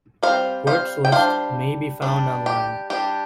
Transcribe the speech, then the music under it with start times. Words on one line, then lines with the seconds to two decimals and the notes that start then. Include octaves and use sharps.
Works lists may be found online.
0.23 G3 C4 C5 F5
0.67 C5 F5
1.05 G5
1.12 G3 D4 C5 F5
2.02 G3 D4
2.46 G4
2.90 G3 D4 G4